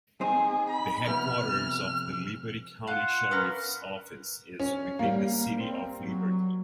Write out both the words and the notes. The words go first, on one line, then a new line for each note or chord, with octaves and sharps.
The headquarters of the Liberty County Sheriff's Office is within the city of Liberty.
C4 D#4 G#4
B5
F2 C3 B3 F6
F4 F#5
B3 C#4 A#4
C#4
G3 A#3
C4
F#3